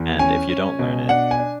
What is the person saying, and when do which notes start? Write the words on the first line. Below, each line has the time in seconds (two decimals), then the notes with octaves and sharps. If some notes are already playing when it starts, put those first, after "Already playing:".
And if you don't learn it
Already playing: E2
0.19 C#4 G#5
0.49 C#4
0.79 B2
1.09 D4 F#5
1.31 G#5
1.39 D4